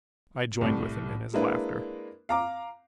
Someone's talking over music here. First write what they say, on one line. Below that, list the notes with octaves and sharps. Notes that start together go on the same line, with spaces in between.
I joined with him in his laughter.
C2 A2
G#3 A#3 D4 E4 B4
F5 A#5 D6